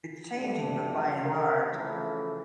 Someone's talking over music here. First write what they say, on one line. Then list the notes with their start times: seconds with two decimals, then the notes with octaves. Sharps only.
it's changing, but by and large,
0.36 G2 B2 F3 A3 D4
1.24 A#4
1.71 C#3 E3 F3 A3